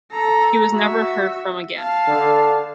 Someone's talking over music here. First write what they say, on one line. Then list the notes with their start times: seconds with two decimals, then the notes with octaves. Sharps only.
He was never heard from again.
0.11 A4 A#5
0.71 F#4 E5
1.77 F5 A5
2.08 D3